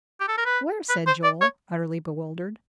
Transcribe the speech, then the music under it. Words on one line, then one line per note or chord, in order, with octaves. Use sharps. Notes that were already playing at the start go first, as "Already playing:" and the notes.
"Where?" said Joel, utterly bewildered.
G4
A4
A#4
B4
B4
C5
D5
C#5